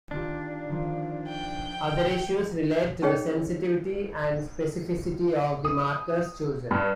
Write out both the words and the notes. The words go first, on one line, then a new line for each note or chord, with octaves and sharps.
Other issues relate to the sensitivity and specificity of the markers chosen.
D#3 D4 F4 G4
D#3 F3 F4
G5
C#4 D#4 G#4 C#5 D#5 G5
D#6
G2